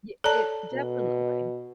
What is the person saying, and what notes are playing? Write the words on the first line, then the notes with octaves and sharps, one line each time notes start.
Ye it definitely.
A4 C#5 D5 A5 A#5
B2